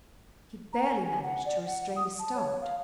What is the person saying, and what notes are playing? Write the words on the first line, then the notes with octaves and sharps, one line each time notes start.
He barely managed to restrain a start.
A#5
G#5
G#5
F#5
D5
F#5
D#6
A5
C#5
F5